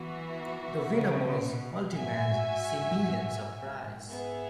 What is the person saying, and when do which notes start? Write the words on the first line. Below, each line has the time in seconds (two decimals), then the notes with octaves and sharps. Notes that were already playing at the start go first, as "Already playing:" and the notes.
The winner was Multiman's Simian Surprise.
Already playing: E3 B3 F#4 E5
0.90 C#3
1.43 B2
1.96 G#2 F#4 E5 G#5
2.50 G#2
3.56 G#2
4.09 B3 G#4 E5